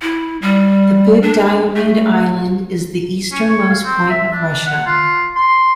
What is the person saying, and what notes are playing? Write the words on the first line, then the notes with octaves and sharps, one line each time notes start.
The Big Diomede Island is the easternmost point of Russia.
E4
G3
D4
A3
C#4
C#5
F5
C4
E5
D4
F#5
F4
C6